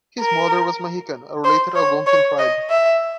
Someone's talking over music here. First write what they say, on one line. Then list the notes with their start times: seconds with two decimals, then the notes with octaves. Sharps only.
His mother was Mahican, a related Algonquian tribe.
0.20 A#4
1.45 C5
1.76 C#5
2.07 C#5
2.39 D#5
2.70 E5